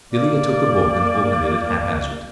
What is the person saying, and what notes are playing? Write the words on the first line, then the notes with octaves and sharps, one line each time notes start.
Villiers took the book, and opened it at haphazard.
A#3 D5 D6